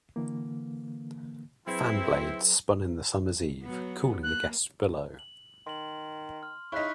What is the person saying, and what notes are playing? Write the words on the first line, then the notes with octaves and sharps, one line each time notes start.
Fan blades spun in the summer's eve, cooling the guests below.
D3 E3 A#3
F#3 C4 E4 G#4 B4
F#3 B3
A#3 F#6
F#7
D#3 C6 F#7
F6
C#3 D#4 E4 C#6 F#6 B6